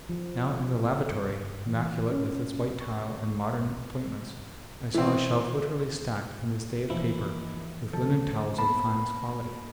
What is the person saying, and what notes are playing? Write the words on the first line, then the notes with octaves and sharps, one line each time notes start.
Now, in the lavatory, immaculate with its white tile and modern appointments, I saw a shelf literally stacked, in this day of paper, with linen towels of the finest quality.
F3
G2
E3
C#4
C#6
E3 C4
E2 E3 F3 A#3 D#4 E4
D2 G#2 F3 A4 A5
A#3 B3 A#4 A5 B5